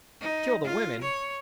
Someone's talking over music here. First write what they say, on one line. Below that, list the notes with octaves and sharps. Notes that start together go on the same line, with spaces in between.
Kill the women?
D#4
F4
C#5